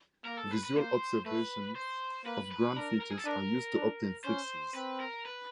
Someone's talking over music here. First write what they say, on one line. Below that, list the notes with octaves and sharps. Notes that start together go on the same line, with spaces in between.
Visual observations of ground features are used to obtain fixes.
A#3 A#4
A4
B4
B4
A#3 C5
A3 B4
C5
A#3 B4
B4
D4 A#4
A#4
G#4
A4
D4 A#4
D4
C#4 C5
C4 B4
A#4
B4